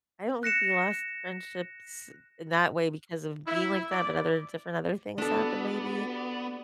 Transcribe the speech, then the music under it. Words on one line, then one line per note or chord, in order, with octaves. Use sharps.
I don't think we lost friendships in that way because of being like that, but other different other things happened maybe.
F#6 A#6 C#7 E7
E4
D5
B3 D4 F#4 G4 A4 D5